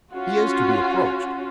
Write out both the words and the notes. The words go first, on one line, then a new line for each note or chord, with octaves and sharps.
"He is to be approached."
C#4 F4 F#4